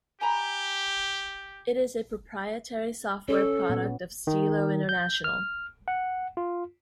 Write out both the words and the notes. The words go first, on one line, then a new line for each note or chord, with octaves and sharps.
It is a proprietary software product of Stilo International.
G4 G#5 A#5 B5
C#4 A4 C#5
A#2 B3
D#3
G6
F6
F#5
F4